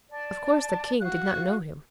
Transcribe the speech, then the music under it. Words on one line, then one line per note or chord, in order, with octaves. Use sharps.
Of course the king did not know him.
D5 A5
F#4 F5 F#6